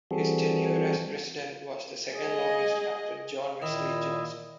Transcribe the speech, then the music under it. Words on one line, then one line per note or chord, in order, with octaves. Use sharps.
His tenure as president was the second-longest after John Wesley Johnson.
E3 G3 C4 F#4 G#4 A4
G#4 D#5
A#2 D#3 E4 D#5